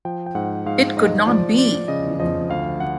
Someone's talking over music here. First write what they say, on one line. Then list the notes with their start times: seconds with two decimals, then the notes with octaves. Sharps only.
It could not be!
0.05 F3 G5
0.26 G5
0.35 G#2 F#5
0.66 G#2 F5
0.97 G#2 D#5
1.27 F3 D5
1.58 F3 D5
1.88 C#3 D#5
2.20 F3 D#5
2.49 D2 F5
2.80 F#5